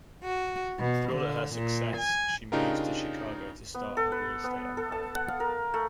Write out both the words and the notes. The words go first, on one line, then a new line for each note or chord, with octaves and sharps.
Thrilled at her success, she moves to Chicago to start her real estate empire.
F#4
B2
D3
A#2
G#5
C#3 D4 D#4 F4 G4 A#4
B3
A4
B4
B3
A4
A5
F#5
F5
A#4
A3